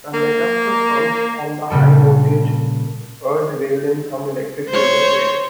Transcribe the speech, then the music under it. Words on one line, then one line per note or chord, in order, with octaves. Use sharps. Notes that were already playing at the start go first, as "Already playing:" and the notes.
The metaphor comes from the high-voltage third rail in some electric railway systems.
A#3
A#2 C#3 G3 A4
C5 C#5